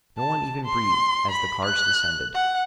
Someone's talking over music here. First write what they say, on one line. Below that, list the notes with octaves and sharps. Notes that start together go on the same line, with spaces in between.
No one even breathed as the cards descended.
A5
C6
B5
F#6
F#5